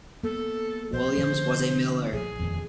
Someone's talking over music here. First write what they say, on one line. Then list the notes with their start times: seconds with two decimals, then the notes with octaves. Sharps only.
Williams was a miller.
0.23 A#3 B3 A4
0.93 A#1 C5
1.16 D3 F3 A#3
2.13 A#1 G#4
2.39 D#1 F2